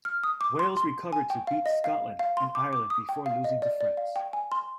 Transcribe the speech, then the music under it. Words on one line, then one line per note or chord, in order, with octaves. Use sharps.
Wales recovered to beat Scotland and Ireland before losing to France.
F6
D#6
D6
C6
C6
G#5
G5
F5
D#5
F5
F5
C6
D6
D6
D#6
G5
F5
D#5
D5
D5
F5
G5
G#5
C6